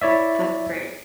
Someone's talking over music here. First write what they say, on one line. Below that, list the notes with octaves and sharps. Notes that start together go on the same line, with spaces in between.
That's great.
E4 C#5 D5 E5